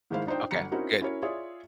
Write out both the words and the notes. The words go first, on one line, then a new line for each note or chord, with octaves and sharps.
Okay, good.
G#2 D#3 G#3 E4 C5 F5
D4 D#4 F4 C5 G5
G1 F#3 A#5 C#7
C4 C#4 D#4 E4 F#4 A#4
C#4 E4 F#4 A#4 C#5
F4 G#4 C#5 D5 E5